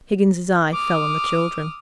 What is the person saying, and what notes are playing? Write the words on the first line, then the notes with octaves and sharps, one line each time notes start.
Higgins's eye fell on the children.
D6 D#6 F6